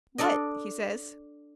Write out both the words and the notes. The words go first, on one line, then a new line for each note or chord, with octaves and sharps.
"What?" he says.
D4 A4 D5 D#5